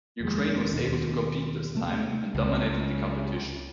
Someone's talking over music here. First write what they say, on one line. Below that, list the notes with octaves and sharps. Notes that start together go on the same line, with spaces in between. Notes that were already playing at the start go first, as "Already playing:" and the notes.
Ukraine was able to compete this time, and dominated the competition.
F1 D#2 G#3
D#2 B2
C3 A3 B3
C#2